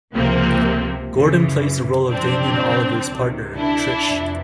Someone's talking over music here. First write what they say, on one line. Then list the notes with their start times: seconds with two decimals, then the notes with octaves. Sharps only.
Gordon plays the role of Damien Oliver's partner, Trish.
0.13 C#2 C3 F3 A#3 C4
1.12 F#2 C#3 E3
2.10 F#2 C#3 F3 C4 D4
3.08 C#2 C3 D#3
3.56 D4 E4
4.06 F2 C3 E3